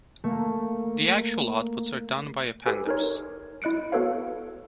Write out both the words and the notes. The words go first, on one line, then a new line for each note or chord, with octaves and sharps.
The actual outputs are done by Appenders.
A3 A#3
G4 A4 B4 G#5
D#4 A#4 C#5
E4 D#5 F#6 C#7 D7
B3 F#4 A4 B4 C#5 F5